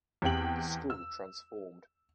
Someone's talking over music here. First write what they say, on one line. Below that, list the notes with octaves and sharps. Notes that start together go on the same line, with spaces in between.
The school transformed.
E2 C4 G4 G5 F#7
E6